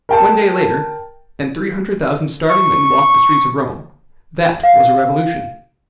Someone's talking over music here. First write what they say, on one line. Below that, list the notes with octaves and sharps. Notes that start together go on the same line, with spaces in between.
One day later, and three hundred thousand starving men walked the streets of Rome: that was a revolution.
A#4 G5 A5
C#6
F5